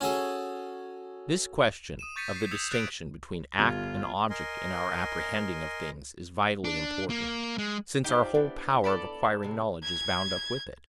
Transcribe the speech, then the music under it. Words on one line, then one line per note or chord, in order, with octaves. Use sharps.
This question of the distinction between act and object in our apprehending of things is vitally important, since our whole power of acquiring knowledge is bound up with it.
C#4 F#4 G#4 A4
D#6 D#7 E7
C#6 G6 A6 B6 C#7 D#7
C7 C#7
D#6 E6 G#6 B6 C#7 F7
F#6 A6 D7
G1 G3 F4 G#6
A#4 D#5 G#5 C6
D4
A#3
G#3
F3 D#4 G4 D5
B3 D4 E4
A4 D5 B5
C3 G#3
G#6